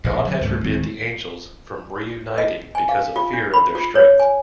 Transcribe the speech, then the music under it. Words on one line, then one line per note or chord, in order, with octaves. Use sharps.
God had forbid the angels from reuniting because of fear of their strength.
F1 A#1 A2
D3 F#3
C#2 G#2 G3 A3
D1 D#3 G#3 C4
D#5
G#5
F5
F4
D4
B5
F4
C#5
G#5